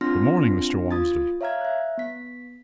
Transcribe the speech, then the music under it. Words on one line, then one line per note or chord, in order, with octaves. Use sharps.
"Good morning, Mr. Walmsley!"
C4 D4 F4 C6 F6 A#6
F4 D#6 G#6 A6
C#5 E5 F5 A#5 F6 G#6
E5 F#6
B3 B6